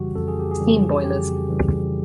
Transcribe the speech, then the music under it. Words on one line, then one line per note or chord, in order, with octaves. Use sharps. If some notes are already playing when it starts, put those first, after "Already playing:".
Steam boilers.
Already playing: F2 C#3 E3 G3 F#4 G4
F2 A4
G#4
G4
G#4
C#3 E3 G3
F2 G4
C#3 E3 G3